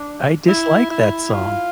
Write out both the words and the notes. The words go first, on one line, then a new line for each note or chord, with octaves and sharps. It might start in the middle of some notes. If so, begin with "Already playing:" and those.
I dislike that song.
Already playing: D4
E4
E4
F4